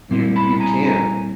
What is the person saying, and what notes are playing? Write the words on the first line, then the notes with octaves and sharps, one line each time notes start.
You you can't.
A#2 G3 C4 E4
A5 B5
G#5 A#5
G#5 A#5